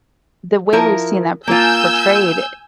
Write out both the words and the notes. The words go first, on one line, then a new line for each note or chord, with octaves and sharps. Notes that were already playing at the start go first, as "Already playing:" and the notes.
the way we've seen that por portrayed,
F3 E4 A#4
A#3 F4 G#5 E6 G6